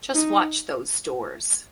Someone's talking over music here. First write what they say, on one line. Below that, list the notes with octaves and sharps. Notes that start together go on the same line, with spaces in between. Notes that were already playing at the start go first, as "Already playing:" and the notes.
Just watch those doors!
D#4